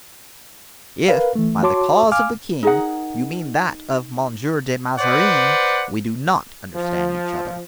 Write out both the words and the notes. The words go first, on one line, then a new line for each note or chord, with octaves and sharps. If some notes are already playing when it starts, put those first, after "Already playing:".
"If by the cause of the king you mean that of Monsieur de Mazarin, we do not understand each other."
A#4 B4 F5
E3 A3
F#4 C#5 A5 C6 D6
F5 G#5 D6 F6
D#4 G#4 A#4 F#5
B4 C5 D5 F#5
F3